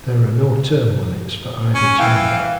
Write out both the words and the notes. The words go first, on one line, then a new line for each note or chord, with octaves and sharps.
There are no term limits for either chamber.
C#4
E3 F5 G5